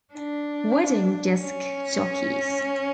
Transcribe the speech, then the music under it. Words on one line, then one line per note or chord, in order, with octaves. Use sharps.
Wedding disc jockeys.
D4
C#4